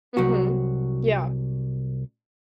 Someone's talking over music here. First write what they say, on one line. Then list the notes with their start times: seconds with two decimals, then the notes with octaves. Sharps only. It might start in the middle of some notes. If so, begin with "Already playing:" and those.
Mhm, yeah.
0.17 C2 F#3 F#4